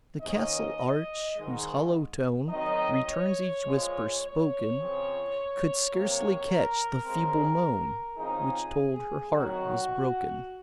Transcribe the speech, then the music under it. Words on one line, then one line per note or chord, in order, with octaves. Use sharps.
The castle-arch, whose hollow tone Returns each whisper spoken, Could scarcely catch the feeble moan Which told her heart was broken.
G#2 D#3 A#3 C#4 D#5
G#2 D#3 G#3
D#3 F#3 C4 D#4 D#5
C#5
A#2 F3 G#3
C#5
C#3 F3 C4
C3 F#3 A#3 C#5
A#4
C#3 G#3 C4
C#3 F3 C4 D#4 G#4
D#3 F#3 C4 D#4 F#4